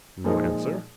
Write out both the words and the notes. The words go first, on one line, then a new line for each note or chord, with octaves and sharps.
No answer.
A#2 F3 G#3 D#4 G#4